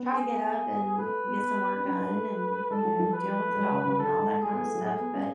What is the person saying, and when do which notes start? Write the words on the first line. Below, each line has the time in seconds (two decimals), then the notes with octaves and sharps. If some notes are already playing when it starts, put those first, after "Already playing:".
try to get up and get some work done and, you know, deal with the dog and all that kind of stuff, but
Already playing: B3
0.14 G#4
0.98 A3 B4
1.27 B3
1.79 D4
1.85 C#4 B4
1.99 D4
2.14 A3
2.71 G#3 A4
2.85 F#3
2.99 F3
3.13 B4
3.49 A3
3.56 G#3
3.71 C#3
3.84 C#3
3.99 D3 A4
4.20 G#3
4.42 A3 G#4
4.53 B3
4.64 A3
4.75 F#3
4.85 A3 G#4
5.00 B3
5.14 C#4